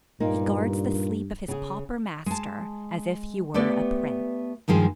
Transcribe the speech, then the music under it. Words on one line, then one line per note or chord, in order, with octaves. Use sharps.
He guards the sleep of his pauper master as if he were a prince.
G2 A#2 A#3 D#4
C#3 G#4
G#3 A5
A3 B3 G4 B4 D5
G2 D#3 F3 G#3 G#4